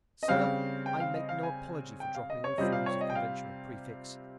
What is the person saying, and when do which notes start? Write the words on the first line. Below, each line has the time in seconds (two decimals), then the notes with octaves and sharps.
Sir, I make no apology for dropping all forms of conventional prefix.
0.23 D#5
0.28 C#3 G3 C4 F5
0.86 G5
1.00 F5
1.14 D#5
1.29 F5
1.43 G#5
2.00 G5
2.15 F5
2.30 D#5
2.44 C#5
2.58 C3 G3 C4 F4 D#5
2.72 F5
2.86 C#5
3.01 D#5
3.10 G5
3.15 F5